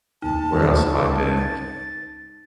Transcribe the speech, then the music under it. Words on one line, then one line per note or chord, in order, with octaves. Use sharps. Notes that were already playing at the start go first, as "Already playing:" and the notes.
like, where else have I been?
D#4 A5
A6